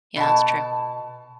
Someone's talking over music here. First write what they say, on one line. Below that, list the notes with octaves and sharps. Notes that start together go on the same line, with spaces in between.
Yeah, that's true.
B2 A5